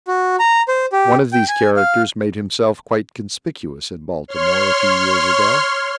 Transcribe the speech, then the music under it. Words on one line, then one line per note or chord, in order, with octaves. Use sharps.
One of these characters made himself quite conspicuous, in Baltimore, a few years ago.
F#4
A#5
C5
G4
G5
G#5
F5
C#5 C6 F6